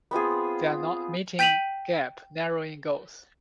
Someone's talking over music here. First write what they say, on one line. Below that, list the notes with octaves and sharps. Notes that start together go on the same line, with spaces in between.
They are not meeting gap narrowing goals.
B3 C4 F4 G#4
G5 G6 B6 D#7 F7 F#7